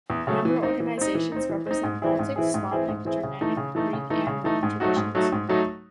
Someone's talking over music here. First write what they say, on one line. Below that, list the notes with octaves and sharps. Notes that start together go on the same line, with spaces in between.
Member organizations represent Baltic, Slavic, Germanic, Greek and Roman traditions.
E2
C#3 F#3 A3
E3
C4 D#4
E3
C4 D#4
E3
C4 D#4
E3
C4 D#4
G#2
E3 C4 E4 G#4
G#2
E3 C4 E4 G#4
G#2
E3 C4 E4 G#4
G#2
E3 C4 E4 G#4
C#3
E3 A3 D#4
C#3
E3 A3 D#4
C#3
E3 A3 D#4
C#3
E3 A3 D#4
G#2
F#3 A3 D#4 F#4
G#2
F#3 A3 D#4 F#4
G#2
F#3 A3 D#4 F#4